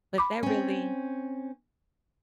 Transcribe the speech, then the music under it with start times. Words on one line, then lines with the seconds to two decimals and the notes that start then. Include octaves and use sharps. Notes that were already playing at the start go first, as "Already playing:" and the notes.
but that really
0.18 B5 D6
0.43 C4 C#4